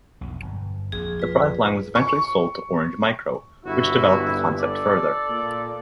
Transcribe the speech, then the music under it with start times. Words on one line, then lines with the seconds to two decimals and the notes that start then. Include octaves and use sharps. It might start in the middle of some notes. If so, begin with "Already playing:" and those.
The product line was eventually sold to Orange Micro, which developed the concept further.
0.21 B1 F2
0.42 G1
0.92 A#1 F2 G#4
1.20 F4 B4
1.95 C#6
3.65 G1 E4 F#4
4.59 A4 D5
5.30 A#2